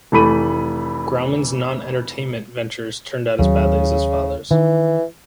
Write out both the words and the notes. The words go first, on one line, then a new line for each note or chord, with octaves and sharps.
Grauman's non-entertainment ventures turned out as badly as his father's.
F1 E3 A3 B5 D#7
D#2 C#3 F#3
D#3 E3